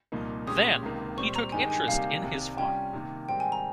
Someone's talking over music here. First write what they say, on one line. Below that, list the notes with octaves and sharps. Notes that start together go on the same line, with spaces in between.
Then he took interest in his farm.
C2 A#2 F3 A#3 D#4
A#2 G#3 C#4 G4 D#6
C#2 C3 D#3 A#3
A#2 G3 C4 C#6
A#5
G2 D#3 G#3 D#4 G4 G#5
G#5
C3 G3 A#3 D#4 G4 F5
C2 C3 D#3 G3
C3 G3 C#4 F4 G5
C3 D#3 A#3
G#2 D#3 G3 C4 G5
G#5
A#5